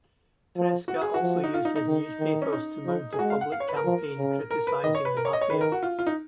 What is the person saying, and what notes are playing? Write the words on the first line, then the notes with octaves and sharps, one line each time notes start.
Tresca also used his newspapers to mount a public campaign criticising the Mafia.
F3
F#4
G#4
F#4
F3
D#4
F4
D#4
D#4
D#3
D#3
C#4
D#4
F3
G#4
G#3 F#4
F5
F#5
F5
C#5
B4
A#4
F3
C#3
A#4
B4
D#3 D#5
C#5
B4
A#4
C#5
D#5
C#5
D#3 B4
A#4
F#4
F4
F4
D#4